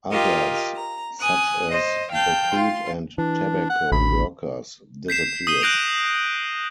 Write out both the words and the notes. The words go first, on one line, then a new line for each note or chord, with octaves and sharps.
Others, such as the Food and Tobacco Workers, disappeared.
F4 G4 A#4 D#5 F5
A#5
G#5 D#6 F#6
C5 D#5
F5 G5 A5 G6
F4 C6
E3 D4
F#5
A1 D2 B5
G6 B6 C7 E7
D#6 B6 D#7 G7
F#6 G6 A#6 D7 D#7 F7